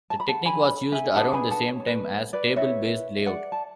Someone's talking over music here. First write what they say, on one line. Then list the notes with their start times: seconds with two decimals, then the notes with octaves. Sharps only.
The technique was used around the same time as table-based layout.
0.10 A5
0.20 B5
0.28 F#5 A5
0.46 G#5 B5
0.92 E5 G#5
1.15 D4 G#4 B4 F#5 A5
1.33 G#5 B5
1.51 F#5 A5
1.68 C#5
1.87 B4
2.33 B4 D5
2.56 E4 B4 C#5 E5
3.26 D5 F#5
3.52 A5